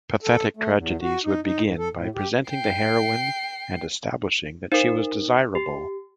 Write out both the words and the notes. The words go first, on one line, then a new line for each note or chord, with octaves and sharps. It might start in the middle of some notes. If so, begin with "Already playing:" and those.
Pathetic tragedies would begin by presenting the heroine and establishing that she was desirable.
A4
A3
E2
F#4
D#4
D#4
G#2
A4
A2
G4
G5 C7
D#4 A#4 C5 F5
G4